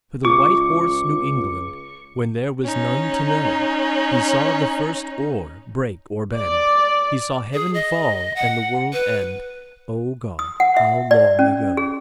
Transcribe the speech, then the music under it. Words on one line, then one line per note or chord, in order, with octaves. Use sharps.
For the White Horse knew England When there was none to know; He saw the first oar break or bend, He saw heaven fall and the world end, O God, how long ago.
C#2 F4 C#6 D6
C#4 D#4
D5
G#4
D#5
F#5
B4
D#6
F#5
E5
D5
C#4
G#4